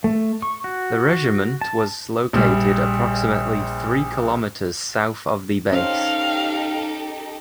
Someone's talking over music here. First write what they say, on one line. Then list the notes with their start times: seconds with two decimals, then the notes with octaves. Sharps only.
The regiment was located approximately three kilometers south of the base.
0.04 A3
0.42 C#6
0.64 F#4
1.61 A5
2.33 A#1 G3
5.72 C#4 D#4 G4 A4 C5 F5